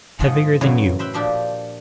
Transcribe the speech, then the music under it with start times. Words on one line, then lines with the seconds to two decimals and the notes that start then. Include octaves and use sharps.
Heavier than you.
0.20 G#2 F3 G#3 F4 D#5 F#5
0.61 F#2 A2 C#3 E3 F#3
0.99 B4 C5 E5 G5 B5
1.13 A#2 F3 D4 G4 C5 B5